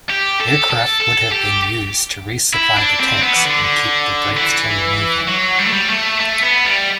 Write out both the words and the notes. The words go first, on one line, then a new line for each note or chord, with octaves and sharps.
Aircraft would have been used to resupply the tanks and keep the breakthrough moving.
G4
A4
A4
A4
G4
E4
D4
C4
B3
E3
D3
E3
F#3
G3
A3
G3
A3
A3
B3
G3